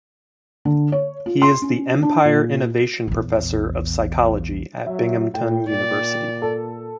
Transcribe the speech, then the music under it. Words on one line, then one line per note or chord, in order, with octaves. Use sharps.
He is the Empire Innovation Professor of Psychology at Binghamton University.
D3
C#5
F4
C6
C#4
D4
A#2
A#1 E2
F#3 E5
A2 G5
A#2 D5
A4